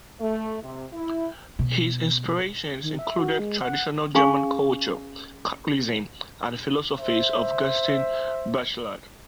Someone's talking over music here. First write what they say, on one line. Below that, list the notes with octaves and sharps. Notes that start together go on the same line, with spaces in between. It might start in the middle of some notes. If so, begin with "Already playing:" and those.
His inspirations included traditional German culture, Catholicism and the philosophies of Gaston Bachelard.
A3
C3
E4
B2
D#3
E5
F#4
G#3
F#5
C#4 G#4 F5 G#5 C#6
C5 E5